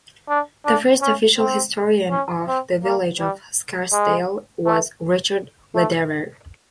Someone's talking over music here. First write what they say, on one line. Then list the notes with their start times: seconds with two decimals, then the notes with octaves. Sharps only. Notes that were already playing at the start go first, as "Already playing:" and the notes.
The first official historian of the Village of Scarsdale was Richard Lederer.
0.29 D4
0.65 D4
1.02 C#4
1.38 C4
2.10 C#4
2.48 C4
2.84 A#3
3.20 G3
3.93 G#3
4.66 A3
5.75 A3